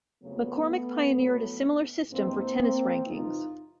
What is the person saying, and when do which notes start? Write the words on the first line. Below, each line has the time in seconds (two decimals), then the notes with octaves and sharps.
McCormack pioneered a similar system for tennis rankings.
0.22 F2 C#3 F#3 A3 B3
1.16 A2 F#3
2.10 G2 E3 G#3 A#3 C4
2.58 A#3 C4
3.04 F2 C3 E3 G#3 D#4 F4